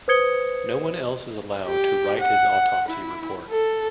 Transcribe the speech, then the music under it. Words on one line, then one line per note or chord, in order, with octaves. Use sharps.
No one else is allowed to write his autopsy report.
B4 C5 D#6 G#6 C#7 G7
G4
F#5
E4
A4